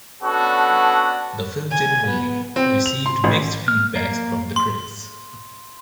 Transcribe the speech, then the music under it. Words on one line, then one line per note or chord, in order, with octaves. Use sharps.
The film generally received mixed feedback from the critics.
B3 C#4 D4 F#4 A4
G#5
B3
C4
F7
C6
A1
F6
A#3
C6